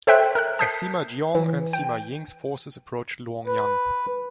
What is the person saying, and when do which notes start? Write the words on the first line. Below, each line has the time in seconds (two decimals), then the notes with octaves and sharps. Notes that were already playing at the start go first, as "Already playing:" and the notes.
As Sima Jiong and Sima Ying's forces approached Luoyang.
0.07 A4 C5 C#5 E5 G5 F#6
0.35 A#4 F#6
0.59 A5 D#6 G6 B6 C7
1.35 E3
1.73 G5
3.47 B4